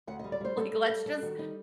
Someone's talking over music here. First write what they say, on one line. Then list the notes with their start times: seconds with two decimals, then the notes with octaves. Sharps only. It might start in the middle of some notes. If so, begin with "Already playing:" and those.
like, let's just
0.07 D2 F#5
0.19 G3 D#5
0.32 D5
0.40 G3 C5
0.57 G3 A4
0.73 G3
0.90 G3
1.06 G3 A4
1.22 D#3 F#4
1.38 G3 D#4